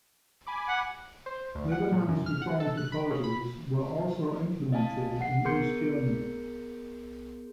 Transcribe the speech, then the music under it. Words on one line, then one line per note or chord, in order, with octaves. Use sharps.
Liberman's reform proposals were also implemented in East Germany.
G#5 B5 D6
F#5
C5
D2
F#5
A#2
F#2
F6
F#5
A4
F#6
B5
C#3
B5
D#5 F5 G#5 A5
F#5 C7
B3 G#4 A#4 C6 G6 C#7